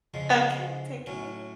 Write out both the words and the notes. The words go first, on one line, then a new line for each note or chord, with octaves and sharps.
Okay, take care.
F2 C#3 F3 G#3
A2 F#3 C#4